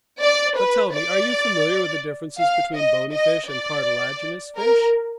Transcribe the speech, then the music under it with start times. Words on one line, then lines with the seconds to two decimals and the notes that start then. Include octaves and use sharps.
"But tell me, are you familiar with the differences between bony fish and cartilaginous fish?"
0.21 D5
0.57 B4
0.94 D5
2.39 F5
2.76 D#5
3.12 D#5
3.48 D5
4.57 A#4